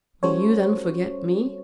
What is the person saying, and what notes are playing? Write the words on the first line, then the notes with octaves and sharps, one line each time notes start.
"Will you then forget me?"
G3 C#4 F#4 A4 C5 C#5